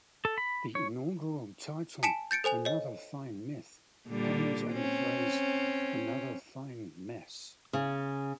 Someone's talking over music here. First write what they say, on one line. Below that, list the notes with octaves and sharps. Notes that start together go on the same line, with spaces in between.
The inaugural title "Another Fine Myth" puns on the phrase "another fine mess".
A4
B5
C#5
G#5 A5 B6 C#7 D7 E7
G6 A6 C#7 D7
A4 C5 G#5 F7
C#5 D#5
A#2 D3 G3
C4 C#4
C#3